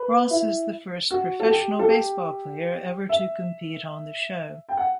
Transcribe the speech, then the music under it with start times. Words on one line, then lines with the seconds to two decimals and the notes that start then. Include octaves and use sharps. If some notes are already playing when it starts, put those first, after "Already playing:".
Ross is the first professional baseball player ever to compete on the show.
Already playing: B4
0.30 E4
1.11 F#4
1.40 A4
1.50 G4
1.79 A4
1.89 G4
3.09 E5
4.69 G5
4.77 F#5